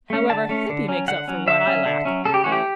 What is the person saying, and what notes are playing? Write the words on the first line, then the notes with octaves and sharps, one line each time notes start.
However, Hippy makes up for what I lack.
A3 C#4
D3 A5
A3 C#4
D3
F#3 C#4
D3 F#5
F#3 C#4
D3 E5
F#3 C#4
D3
F#3 C#4
C#3 A4
G4
E3 A3 C#4 F#4
G4